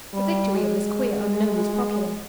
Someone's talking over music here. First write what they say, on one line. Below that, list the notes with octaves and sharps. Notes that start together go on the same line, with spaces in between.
The victory of this queer unknown was popular.
G3
G#3